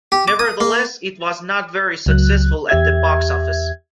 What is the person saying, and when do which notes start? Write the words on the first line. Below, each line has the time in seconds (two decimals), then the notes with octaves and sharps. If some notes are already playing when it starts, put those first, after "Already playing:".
Nevertheless, it was not very successful at the box office.
0.12 G4
0.28 D6
0.39 D#6
0.61 A#3
2.06 C#2 F#3 F#6
2.69 E2 G4 E5 G#6